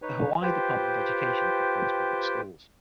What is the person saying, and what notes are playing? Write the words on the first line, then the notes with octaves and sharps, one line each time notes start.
The Hawaii Department of Education operates public schools.
D#4 B4 C#5
F4 G4 B4 C5 G5